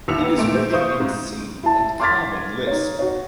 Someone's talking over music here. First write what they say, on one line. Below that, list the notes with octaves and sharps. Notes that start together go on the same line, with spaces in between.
It is written in C and Common Lisp.
D#2 E4 E5 E6 C#7 F7
B3
A#2 A3 D7
C5
E4 C5 F5 C#6 D#6
G#2
E4 A5
C6 D6 F6 G#6 A6 B6
D#4 C#5
F#4 C#5